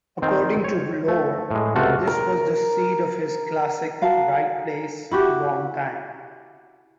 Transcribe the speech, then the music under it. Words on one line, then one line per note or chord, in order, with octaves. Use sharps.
According to lore, this was the seed of his classic, Right Place, Wrong Time.
D#3 C4
C#5
A3
A2 G#3
C#2 C3 A3 F4 F#4 A5
A#4
F#4 F5 A5
E4 F#4 G4